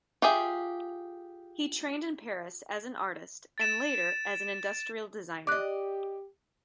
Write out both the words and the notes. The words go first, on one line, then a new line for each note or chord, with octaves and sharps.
He trained in Paris as an artist and later as an industrial designer.
F4 G4 G#4 E5
A6 D7 E7
G4 D5 D#5 D6 F#6